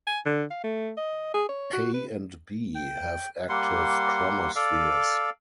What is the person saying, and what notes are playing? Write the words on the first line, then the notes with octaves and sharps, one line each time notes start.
A and B have active chromospheres.
G#5
D3
F5
A3
D#5
G#4
C#5
F#4
B4
G5
G3 A#3 F#5 C6
A4 D5 F5